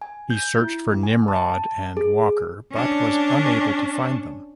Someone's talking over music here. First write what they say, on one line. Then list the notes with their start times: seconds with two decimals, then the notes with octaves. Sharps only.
He searched for "Nimrod" and "Walker", but was unable to find them.
0.02 G#5
0.30 G6
0.60 E4
1.03 G#5
1.28 A5
1.97 G#4
2.72 C#4 D4